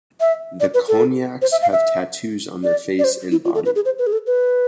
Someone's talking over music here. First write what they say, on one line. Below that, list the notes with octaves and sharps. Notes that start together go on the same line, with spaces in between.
The Konyaks have tattoos on their face and body.
E5
D5
B4
A4
C5
E5
F5
E5
D5
D5
C5
E4
F4
A4
B4
G#4
C5
B4
G#4
A4
B4